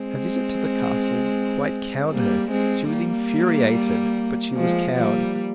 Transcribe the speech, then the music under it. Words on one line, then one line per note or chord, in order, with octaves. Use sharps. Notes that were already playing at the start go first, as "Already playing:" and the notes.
Her visit to the Castle quite cowed her. She was infuriated, but she was cowed.
Already playing: G#3 C4
G3 A#3
G#3 C4
G3 A#3
F3 G#3
G3 A#3